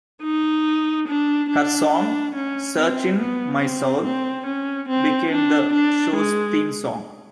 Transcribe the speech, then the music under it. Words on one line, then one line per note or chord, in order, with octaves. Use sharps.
Her song "Searchin' My Soul" became the show's theme song.
D#4
D4
D4
D4
C#4
C4
B3
C4
C4
C#4
C4
D4
D4
G#3